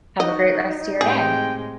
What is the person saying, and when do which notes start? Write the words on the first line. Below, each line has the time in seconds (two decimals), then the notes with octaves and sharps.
have a great rest a your day.
0.20 D#4 F#4 D#5
1.01 A2 C3 G#3 G#4 G5